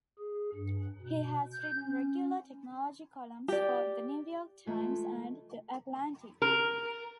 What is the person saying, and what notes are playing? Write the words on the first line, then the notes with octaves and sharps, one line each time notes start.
He has written regular technology columns for "The New York Times" and "The Atlantic".
G#4
G2
B2
G6
C#4
G4 D5
E3 G#3 A3 F4
A#4